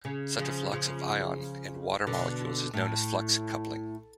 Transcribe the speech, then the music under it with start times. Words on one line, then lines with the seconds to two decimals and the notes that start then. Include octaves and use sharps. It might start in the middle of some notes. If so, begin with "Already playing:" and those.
Such a flux of ion and water molecules is known as flux coupling.
0.05 C#3
0.39 C#3 F3
0.72 C#3 F3
2.07 B2 D3
2.74 A2